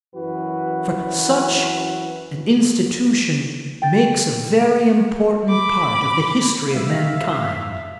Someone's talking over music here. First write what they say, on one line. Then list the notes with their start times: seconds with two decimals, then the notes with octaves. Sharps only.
For such an institution makes a very important part of the history of mankind.
0.15 F#2 E3 F#4 B4
3.82 G5 A6
5.49 B5 D6
6.75 E3 G3 A3 E5 F5